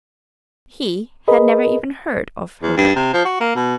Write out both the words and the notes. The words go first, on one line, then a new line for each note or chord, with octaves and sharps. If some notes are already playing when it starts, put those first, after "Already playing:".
He had never even heard of Herbert.
G#4 A#4 B4 D#5 B5
E2
G2
C3
F3
F#4
A#3
B2